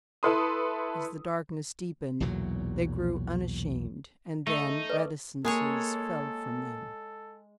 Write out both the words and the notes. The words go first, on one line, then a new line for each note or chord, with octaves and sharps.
As the darkness deepened, they grew unashamed and then reticences fell from them.
E4 A4 B4 C6 D#6
B1 E2 A#2 F#3
A3 D#4
B4 D5 D#5
G#3 A#3 G#4 A4 C#5